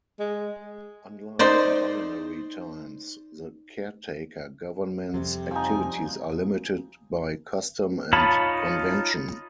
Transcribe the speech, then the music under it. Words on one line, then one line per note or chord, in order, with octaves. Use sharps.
Unlike in ordinary times, the caretaker government's activities are limited by custom and convention.
G#3
D#4 C5 D5
F2 C3 G3
F3 D#4 G#5
D#4 F4 C#5 A5 B5